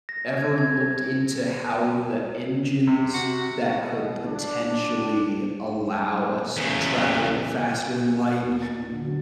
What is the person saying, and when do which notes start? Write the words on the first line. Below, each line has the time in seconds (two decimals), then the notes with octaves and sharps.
ever looked into how the engines that could potentially allow us to travel faster than light
0.09 A#6
0.38 G#6
0.58 G#6
2.87 C3
3.14 F#4
3.72 B2
4.27 D4
6.57 E2 C#3
8.44 D#2
8.62 A6
8.78 A#2
8.92 D3
9.04 F#3